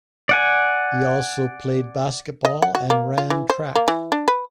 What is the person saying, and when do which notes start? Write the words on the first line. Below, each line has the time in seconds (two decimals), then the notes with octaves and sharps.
He also played basketball and ran track.
0.29 D5 F#5 G#5
2.45 D#5
2.62 F#5
2.75 F#4
2.90 A#3
3.18 F4
3.30 E3
3.50 C5
3.75 A#3
3.88 E3
4.12 D4
4.28 B4